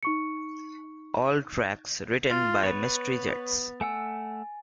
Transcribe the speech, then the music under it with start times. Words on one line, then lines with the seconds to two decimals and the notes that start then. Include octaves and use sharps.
All tracks written by Mystery Jets.
0.03 D#4 C#6 C#7
2.30 F4 A6 F7
2.64 B3 B4 C#5
3.81 A3 F#5 G#5 E6